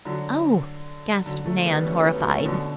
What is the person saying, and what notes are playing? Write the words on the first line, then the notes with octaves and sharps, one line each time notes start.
"Oh!" gasped Nan, horrified.
D3 F#3
D3 F#3
F#3 A3
G3 B3
A3 C#4
G3 B3
F#3 A3
A3 C#4
B2 D3